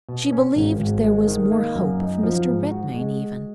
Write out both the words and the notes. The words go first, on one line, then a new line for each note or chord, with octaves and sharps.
She believed there was more hope of Mr. Redmain even.
B2
C#4
G#1
G#1
G#3
D#3
A#3
F#2
D#4
F3
G#2
F#4
G#3